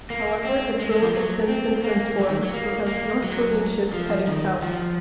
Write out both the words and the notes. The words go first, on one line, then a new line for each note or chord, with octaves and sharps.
However, its role has since been transformed to prevent North Korean ships heading south.
A#3
C4
G#3
G#3
F3
F#3
C4
A#3
F#3
D#3
F#3
A#3
A#3
F#3
F3
D#3
F3